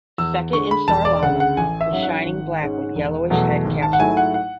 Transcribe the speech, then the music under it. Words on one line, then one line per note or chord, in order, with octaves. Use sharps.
Second instar larva is shining black with yellowish head capsule.
E2 E6
D3 G#3 C#6
B5
E1 A5
D5
D2 C#3 F#5
F#5
A1 G#5
E5
G#2 F#3 C#4
F#5
G#1
G#2 G#3 C#4
E1
E2 B2 F#3 A3
G#1
A5
F#5
G#2 F#3 A3 E4 G#5
F#5
F#5